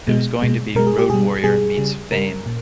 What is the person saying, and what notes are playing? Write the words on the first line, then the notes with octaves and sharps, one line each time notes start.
It was going to be Road Warrior meets "Fame".
B2 G#3
B2 G#3
B2 G#3 A#4
G#4
G4
B2 G3 G#4
B2 G3 G#4
C#3 G3
C#3 G3 A#4
A#2